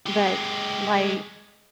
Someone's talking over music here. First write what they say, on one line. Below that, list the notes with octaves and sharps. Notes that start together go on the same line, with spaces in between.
But, like,
G#3 G4